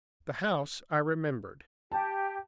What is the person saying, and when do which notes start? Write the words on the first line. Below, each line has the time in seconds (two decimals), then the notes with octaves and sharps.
The house I remembered.
1.92 G4 A5